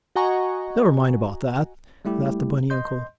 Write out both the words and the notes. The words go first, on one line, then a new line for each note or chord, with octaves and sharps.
"Never mind about that," laughed the bunny uncle.
F#4 D#5 F#5 G#5 A#5 C#6
G3 A3 E4 G4
D#5 C6 G6